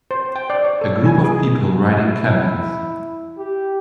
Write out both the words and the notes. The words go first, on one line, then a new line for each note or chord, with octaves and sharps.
A group of people riding camels.
C5
G5
D5
C#5
A4
G#5
G#4
E4
G4